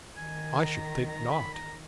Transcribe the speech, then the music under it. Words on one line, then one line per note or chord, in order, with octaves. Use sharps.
"I should think not."
D#3 G#5
A#5
A#5
B5
A#5